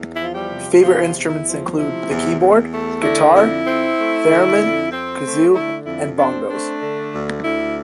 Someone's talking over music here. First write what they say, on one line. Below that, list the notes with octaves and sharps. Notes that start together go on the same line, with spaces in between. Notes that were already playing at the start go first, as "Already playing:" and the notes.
Favourite instruments include the keyboard, guitar, theremin, kazoo and bongos.
Already playing: E2
F3 E4
F4
G3 G4
C3
E2 F3 F4
E2
E4
F3
C3 E4
E2
E2
A3
D3 E4
F2 E4
C4
A3
D3
F2
C4
A3
D3 E4
F2 E4
C4 D4
A3 D4
D3
D2
D2 E4